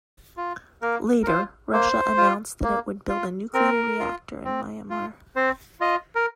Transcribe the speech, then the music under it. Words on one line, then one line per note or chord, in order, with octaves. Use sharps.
Later, Russia announced that it would build a nuclear reactor in Myanmar.
F4
A#3 A#4
A#4
F4 C5
A#3 C5
F4
A#3
F4
C4 A#4
F4
C4
F4
C4 C5
F4 D#5
A#4